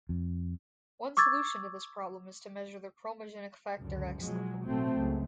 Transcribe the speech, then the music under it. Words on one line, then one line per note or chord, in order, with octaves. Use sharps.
One solution to this problem is to measure the chromogenic factor X level.
F2
C#6 D6 E6 G#6 A6
C#2 F#2 D3
B2 F3 F#3 G#3
A1 B2 F#3 A3 C4
C#2 F#2